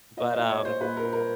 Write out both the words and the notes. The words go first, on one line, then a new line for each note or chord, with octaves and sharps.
But, um,
A#2 D#5
D#5
A#2
C#5
A#2
C5
A#2 B4
A#4
A#2
A#4